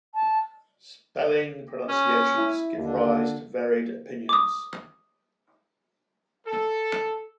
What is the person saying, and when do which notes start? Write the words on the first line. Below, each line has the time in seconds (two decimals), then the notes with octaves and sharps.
Spelling pronunciations give rise to varied opinions.
0.14 A5
1.89 C#4
2.37 E4
2.77 D#2 D3
4.29 D6 D#6
6.46 A4